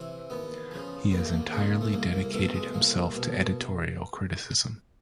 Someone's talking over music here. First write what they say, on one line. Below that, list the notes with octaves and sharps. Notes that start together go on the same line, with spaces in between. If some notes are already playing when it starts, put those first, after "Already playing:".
He has entirely dedicated himself to editorial criticism.
Already playing: C3 E3 E4
D#2 B3
C#3 F3
D#2 B3
A#3
A3
A#3
C#3 F3
A3
C2 A#3
A#3
B2 A3
G#3
C2 A#3
B2